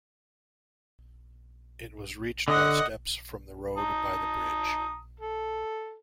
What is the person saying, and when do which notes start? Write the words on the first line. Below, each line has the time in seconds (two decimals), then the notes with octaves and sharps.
It was reached by steps from the road by the bridge.
2.48 D3 D#5 F#5
3.78 A5 A#5 D#6
5.20 A4